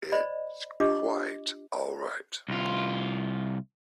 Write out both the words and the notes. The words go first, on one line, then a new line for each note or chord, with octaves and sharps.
It's quite all right.
C5 D5 D#5 B5
D4 F4 G4 D#5 D6
C2 F4